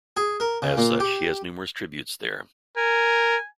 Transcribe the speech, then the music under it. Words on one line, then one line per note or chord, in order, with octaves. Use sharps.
As such, he has numerous tributes there.
G#4
A#4
C#3
A#2
G4
A#4 G#5